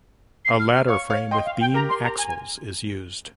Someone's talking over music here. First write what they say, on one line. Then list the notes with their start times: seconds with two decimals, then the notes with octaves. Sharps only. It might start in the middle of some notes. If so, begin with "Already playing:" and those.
A ladder frame with beam axles is used.
0.45 C7
0.59 F6
0.75 F6
0.88 C#5 F5 C#6
1.10 C#5 F5
1.31 D#5 G5 C6
1.45 F5
1.61 G5
1.74 G4 A#4 A#5
1.89 C6
2.04 A#5
2.18 G#5
2.28 G#5